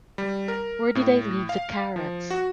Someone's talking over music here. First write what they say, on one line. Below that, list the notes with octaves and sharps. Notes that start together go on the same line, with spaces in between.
Where did I leave the carrots?
G3
A#4
A2
F5
F3
F#4